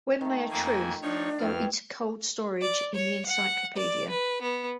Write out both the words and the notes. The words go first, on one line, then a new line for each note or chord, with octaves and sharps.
When may a truth go into cold-storage in the encyclopedia?
D#3 A3
F2 A#3 G#5 A#5
F3 D4 D#4 C#5
F2 B3 E4 G5 F6
D5
C#5
F#5
D5
B4
B3